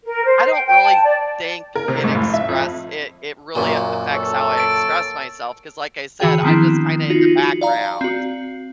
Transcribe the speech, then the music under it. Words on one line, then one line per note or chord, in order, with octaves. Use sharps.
I don't really think it express it it really affects how I express myself, 'cause like I said, I'm just kinda in the background,
A#4
C5
G5
G5
A5
D5
A#4
C3
G#2
F1
E5
F2
F#2 A#2 A#3 C#5 G#5
A4 C#5
A6 D7
D3 E3 F#4 G#4 G5
D#3 F3 B3 C4 D4 E4
D#4 F4 F#4
F#4
D5 F5 A#5
C4 F#4